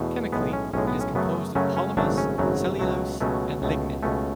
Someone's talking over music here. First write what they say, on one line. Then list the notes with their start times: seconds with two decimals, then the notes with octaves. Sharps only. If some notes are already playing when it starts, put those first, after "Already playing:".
Chemically, it is composed of polymers, cellulose and lignin.
Already playing: E2 B2 A3
0.32 B1 A2 G#3 B3
0.53 C#4
0.74 B1 A2 G#3 C#4
0.87 B3
1.01 C#4
1.15 F#2 C#3 F#3 A3 B3
1.55 F#2 C#3 F#3 A3 C#4
1.76 C#4
1.97 G#1 F#2 C#3 F#3 A3 D4
2.18 C#4
2.38 G#1 F#2 C#3 F#3 A3
2.79 C#2 B2 F#3 A3
3.21 C#2 B2 F#3 A3 C#4
3.62 C#2 B2 A3
4.03 C#2 B2 A3 C#4